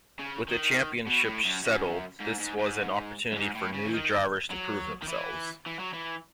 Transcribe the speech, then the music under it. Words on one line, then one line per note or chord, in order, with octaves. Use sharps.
With the championship settled, this was an opportunity for new drivers to prove themselves.
C#3
D#3
B2
A2
F#2
F#2
G#2
G#2
G#2
F#2
G#2
A2
C#3
E3
D#3
F#3
D#3
E3
E3
F#3
E3